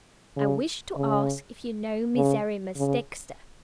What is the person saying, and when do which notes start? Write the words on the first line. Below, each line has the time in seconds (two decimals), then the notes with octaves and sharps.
"I wish to ask if you know Miserrimus Dexter."
0.36 C#3
0.96 C#3
2.16 C#3
2.77 C#3